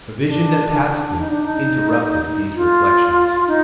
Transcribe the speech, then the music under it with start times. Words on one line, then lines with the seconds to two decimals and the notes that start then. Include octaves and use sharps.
A vision that passed me interrupted these reflections.
0.25 D4
1.18 D#4
1.30 D4
1.43 D#4
2.55 F4
3.47 D#4